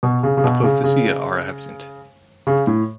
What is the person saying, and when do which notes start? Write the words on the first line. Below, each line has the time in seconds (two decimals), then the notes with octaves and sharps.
Apothecia are absent.
0.03 B2
0.23 C#3
0.37 C#3
0.44 B2
0.64 C#3
0.84 C#3
2.47 C#3
2.67 A2